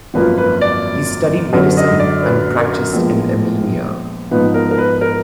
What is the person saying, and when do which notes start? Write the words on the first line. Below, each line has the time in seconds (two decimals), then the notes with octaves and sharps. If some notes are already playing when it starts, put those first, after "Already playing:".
He studied medicine, and practiced in Amenia.
0.14 G#1 F#2 F3 A#3 F4 B4
0.38 B4
0.61 D5
1.53 F#2 D3 F#3
1.77 D#5
1.99 D5
2.23 B4
2.58 A#4
2.93 A#1 A#2 F3 G#3 B3
4.31 A#1 G#2 F3 B3 D#4 B4
4.54 A#4
4.71 A#4
4.78 B4
5.01 A#4